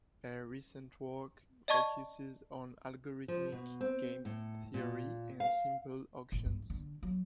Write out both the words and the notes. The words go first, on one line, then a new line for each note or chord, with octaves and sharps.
Her recent work focuses on algorithmic game theory and simple auctions.
D5 D#5 A5 C#6 G#6
F3
B2
C4
A2
A#2
F5
A1
G2
D3
F#3